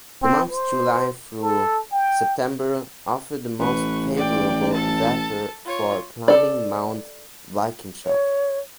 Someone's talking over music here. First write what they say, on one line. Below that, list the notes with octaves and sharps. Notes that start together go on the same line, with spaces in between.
The months July through September offer the most favorable weather for climbing Mount Walkinshaw.
C4
C5
A4
G5
A1 B4 C#6
D5 G5
A4 A5
F4 C#5
A4 D5
C#5